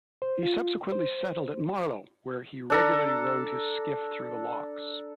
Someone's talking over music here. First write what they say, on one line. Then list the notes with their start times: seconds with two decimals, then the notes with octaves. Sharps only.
He subsequently settled at Marlow where he regularly rowed his skiff through the locks.
0.22 C5
0.43 F4
0.92 C5
2.70 D4 A4 A#5